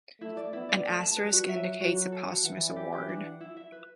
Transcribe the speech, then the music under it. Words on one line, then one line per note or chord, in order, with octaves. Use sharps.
An asterisk indicates a posthumous award.
A3 E4
D5
B3 E4
D5
A3 A5
A5
G3 B4
F#4
F#3 E5
F#4
F#3 F#4
F#4
A4
F#5
E3 F#5
D5
G4
G4
D4
F#5
E4
E5
B4